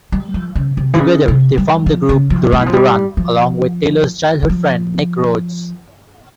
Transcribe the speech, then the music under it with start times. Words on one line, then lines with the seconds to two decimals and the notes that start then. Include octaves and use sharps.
Together they formed the group Duran Duran, along with Taylor's childhood friend, Nick Rhodes.
0.12 G3
0.34 F3
0.55 C#3
0.77 C3
0.94 E3
0.99 C#3
1.28 C3
1.58 G3
1.86 F3
2.09 C#3
2.30 F3
2.52 G#3
2.60 E3
2.66 F3
2.73 G3
3.17 F3
4.43 E3
4.49 F3